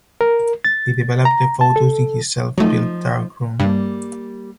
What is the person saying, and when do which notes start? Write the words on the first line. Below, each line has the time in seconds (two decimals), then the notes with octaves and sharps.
He developed the photos in his self built darkroom.
0.21 A#4
0.65 A6
1.25 A#5
1.61 A5
1.76 A4
2.58 F3 F#3 A3 D#4
3.60 G2 G3 A#3